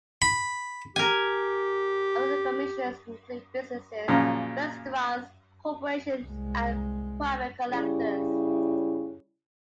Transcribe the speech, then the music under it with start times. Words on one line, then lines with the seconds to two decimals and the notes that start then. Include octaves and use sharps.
Other commissions include businesses, restaurants corporations and private collectors.
0.22 B5
0.96 G4 A#4 G#5
4.08 F#2 A#2 C#3 F3
6.24 C2 G#3
7.71 C#3 G3 E4